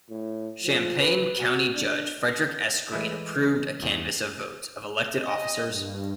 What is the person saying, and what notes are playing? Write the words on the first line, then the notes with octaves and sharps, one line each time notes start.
Champaign County Judge Frederick S. Green approved a canvass of votes of elected officers.
A2
F3
B4
F#4
D4
E3 G#3 A3 E4
E2
D#5
G2